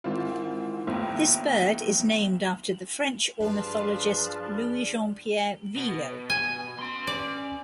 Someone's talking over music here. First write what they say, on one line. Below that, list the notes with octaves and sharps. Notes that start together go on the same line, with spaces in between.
This bird is named after the French ornithologist Louis Jean Pierre Vieillot.
G#2 D#3 C4 E4 F4
A#1 D#2 A3 B3 E4 C5 F5
G2 F3 G#4 B4 D5 F5 A5
B2
G#5
C#4 C6
D5